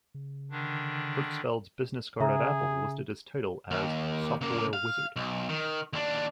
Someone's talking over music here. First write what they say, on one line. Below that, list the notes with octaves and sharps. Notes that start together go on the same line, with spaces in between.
Hertzfeld's business card at Apple listed his title as "Software Wizard".
C#3
D3 D#3 D4
C#3 G#4 E5 A#5
D#2
C#3 A#3
F5
B1
D#3
D#2 D4